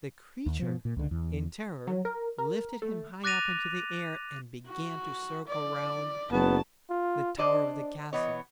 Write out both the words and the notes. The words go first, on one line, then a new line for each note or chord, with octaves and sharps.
The creature in terror lifted him high up into the air and began to circle round the tower of the castle.
D#2
B2 F3
A#2
C#2 D3
E2
F#3
A#4
A#4
A3
D6 F#6 A6 A#6 D#7 F7
F#4
D5
F#1 F#3 B3 A5
F4
D4 C5 D5 D#5
E3 B3 C#5 D#5